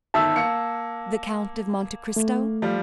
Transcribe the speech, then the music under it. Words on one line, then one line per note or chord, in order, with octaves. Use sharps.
"The Count of Monte Cristo?"
G1 D#3 E5 A5 E6
A#3 C#7
A3
F3 G3